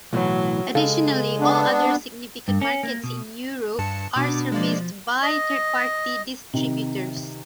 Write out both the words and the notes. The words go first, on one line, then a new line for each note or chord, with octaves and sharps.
Additionally, all other significant markets in Europe are serviced by third-party distributors.
B1 A2 E3 F#3
C#3 G#3 A4 F5
B3 D4
G2
C#4
A#3
B2
G2 A5 C#7
B2 D4 D6
F3 G#3 A#3 D5
D#5
C3 D#3